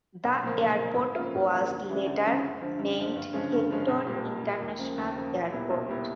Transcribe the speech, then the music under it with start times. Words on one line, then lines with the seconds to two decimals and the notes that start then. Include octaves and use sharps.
The airport was later named Hector International Airport.
0.25 B1
0.43 A#2 F3 A#3
0.61 B1
0.79 A#2 F3 A#3
0.97 G#2
1.15 F3 A#3 C#4 F4
1.35 G#2
1.52 F3 A#3 C#4 F4
1.70 D2
1.89 C#3 E3 G#3 C#4
2.06 D2
2.25 C#3 E3 G#3 C#4
2.43 F#2
2.61 D3 F3
2.79 F#2
2.97 D3 F3
3.16 G2
3.33 D3 F3 G#3 C#4
3.52 G2
3.69 D3 F3 G#3 C#4
3.88 B1
4.07 A#2 G3
4.25 B1
4.42 A#2 G3
4.60 D#2
4.78 C#3 F3 A#3
4.98 D#2
5.15 C#3 F3 A#3
5.33 B1
5.52 A#2 G3 B3 E4
5.70 B1
5.88 A#2 G3 B3 E4